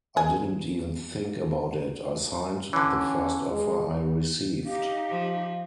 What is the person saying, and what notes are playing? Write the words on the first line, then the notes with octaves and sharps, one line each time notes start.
I didn't even think about it, I signed the first offer I received.
G#4
D3 E3 C#4
G#3
D#4 G4 F5
F3